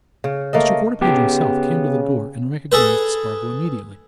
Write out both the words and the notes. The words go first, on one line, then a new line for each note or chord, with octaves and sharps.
Mr. Quarterpage himself came to the door, and recognized Spargo immediately.
C#3
A3 A#3 A4 D#5
C#3 B3 G4 G5
G#4 A4 B4